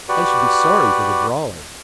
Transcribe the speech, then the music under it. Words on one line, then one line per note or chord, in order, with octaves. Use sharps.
"I should be sorry for the brawler."
F#4 G4 B4 D5